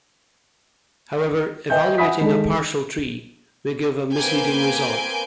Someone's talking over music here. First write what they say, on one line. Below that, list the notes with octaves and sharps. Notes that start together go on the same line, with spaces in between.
However, evaluating a partial tree may give a misleading result.
B4 D#5 E5 G5 G#5 G6
E5 F#5 G#5 B5 D#6 B6
D#3 G#3 A4
A#3 C4 B4 G#5 G6 D7